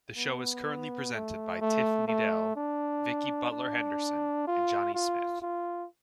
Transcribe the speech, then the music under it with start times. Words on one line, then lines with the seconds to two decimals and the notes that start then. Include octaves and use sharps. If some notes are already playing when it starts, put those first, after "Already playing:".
The show is currently presented by Tiff Needell, Vicki Butler-Henderson and Jonny Smith.
0.17 B3
1.13 A3
1.61 A3
2.08 A3
2.56 D4
3.51 D4
4.47 F4
4.95 F4
5.42 F4